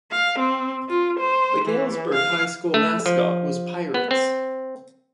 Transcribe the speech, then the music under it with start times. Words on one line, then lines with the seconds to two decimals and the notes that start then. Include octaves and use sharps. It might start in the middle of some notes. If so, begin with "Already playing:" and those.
The Galesburg High School mascot was Pirates.
0.11 F5
0.39 C4
0.89 F4
1.20 C5
1.65 E3
2.13 F5
2.74 A3
3.06 F3
3.94 B3
4.11 C4